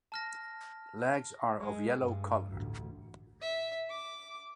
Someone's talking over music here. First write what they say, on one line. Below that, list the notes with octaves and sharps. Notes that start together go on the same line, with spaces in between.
Legs are of yellow colour.
A5 F6 A#6
G#3
G2
A1 D2
E5
D6